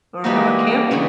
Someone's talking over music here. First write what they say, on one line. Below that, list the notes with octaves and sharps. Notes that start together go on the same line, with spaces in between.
Or how 'bout camping?
E3 G3 A#3 B3 D#4 F#4
C#3 E3 A3 D4